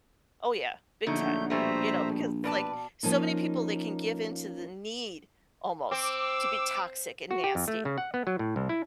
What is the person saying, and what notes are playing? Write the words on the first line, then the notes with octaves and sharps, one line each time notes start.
Oh, yeah. Big time. You know, because it's like, so many people, they can give in to the need almost to be toxic and nasty.
A#1 D3 F#3 A3 D#4 G6
B2 G3 A3 C5 E5 A#5
B2 B4 D5 A5
F3 A#3 C#4 D#4
C4 D6 E6
F#4
G4
F2
A3
C#3
F#5
B3
F#3
A2
C2
E4